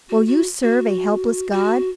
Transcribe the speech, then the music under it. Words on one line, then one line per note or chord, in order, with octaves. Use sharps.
Will you serve a helpless god?
F#4
F#4
F#4
F#4